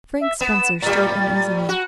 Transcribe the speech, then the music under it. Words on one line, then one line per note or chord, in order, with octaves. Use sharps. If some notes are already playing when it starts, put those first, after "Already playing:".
Frank Spencer stirred uneasily.
E5
B3 E7
A2 G3 A6
F#4 F#6